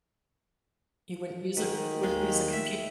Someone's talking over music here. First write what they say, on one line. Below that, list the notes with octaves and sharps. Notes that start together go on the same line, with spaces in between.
He wouldn't use it wouldn't use a compu
G#2 D#3
D#2 G#3
E5